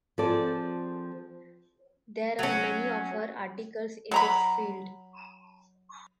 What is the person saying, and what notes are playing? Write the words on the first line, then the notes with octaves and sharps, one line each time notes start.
There are many of her articles in this field.
F3 C4 G#4 A4 D5
F#3 C#4
F#3 A#5 B5